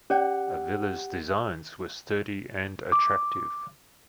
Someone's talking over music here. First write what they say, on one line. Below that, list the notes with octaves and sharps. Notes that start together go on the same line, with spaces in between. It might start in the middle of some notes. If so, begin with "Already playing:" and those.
Avila's designs were sturdy and attractive.
C#4 G4 D5 F#5
D6